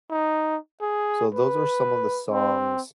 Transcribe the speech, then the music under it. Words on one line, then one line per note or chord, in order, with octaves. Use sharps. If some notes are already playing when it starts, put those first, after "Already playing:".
So, those are some of the songs
D#4
G#4
B4
C4